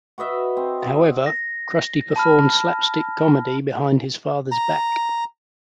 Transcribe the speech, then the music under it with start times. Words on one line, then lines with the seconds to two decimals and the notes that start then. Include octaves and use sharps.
However, Krusty performed slapstick comedy behind his father's back.
0.18 F#4 B4 D#5 E5
0.57 C4
1.26 A#6
2.16 A5 B5 F6
4.52 A#5